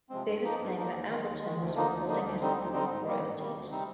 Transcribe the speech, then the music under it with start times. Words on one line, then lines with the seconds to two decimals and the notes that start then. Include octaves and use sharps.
Davis claimed that Appleton was withholding his full royalties.
0.10 C3 F3 G#3 C4
0.26 G2
0.43 F3 A#3 D#4
0.59 G2
0.75 F3 A#3 D#4
0.91 D#2
1.09 D#3 G#3
1.25 D#2
1.41 D#3 G#3
1.58 D2
1.73 D3 F3 A#3 D#4
1.90 D2
2.07 D3 F3 A#3 D#4
2.23 D2
2.39 D3 G3 C4 D#4
2.56 D2
2.72 D3 G3 C4 D#4
2.89 G#2
3.06 D#3 G3 A#3
3.22 G#2
3.38 D#3 G3 A#3
3.54 D2
3.71 C3 G3 C4 D#4